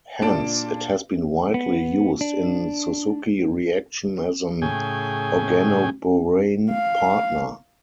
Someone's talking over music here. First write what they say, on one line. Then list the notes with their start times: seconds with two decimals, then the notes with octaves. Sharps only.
Hence, it has been widely used in Suzuki reaction as an organoborane partner.
0.22 A#2 D4 A5 D7
1.54 B3
2.21 D4
4.62 A2 C#3 G#4 G5 G#5
6.70 F5